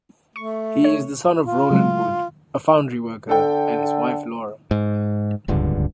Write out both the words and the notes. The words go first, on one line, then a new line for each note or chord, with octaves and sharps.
He is the son of Rowland Wood, a foundry worker, and his wife Laura.
A3 C#6
C#5
F4
C#3 F#3 G#3
D3 A4 G5
G#2
D1 C#2 G2 D3